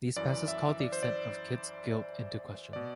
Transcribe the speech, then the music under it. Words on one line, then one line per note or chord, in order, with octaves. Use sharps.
These passes call the extent of Kidd's guilt into question.
F#2 E3 D5
E5
D5
C5
D5
B2 D5